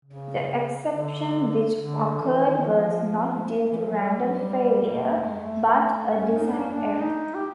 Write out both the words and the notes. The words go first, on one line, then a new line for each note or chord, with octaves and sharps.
The exception which occurred was not due to random failure but a design error.
C#3
D3
D3
E3
D#3
F3
E3
F3
F#3
G3
F#3
G3
A#3
A#3
A3
G#3
A3
C#4
D#4
D4
C#4
D4
D#4
G4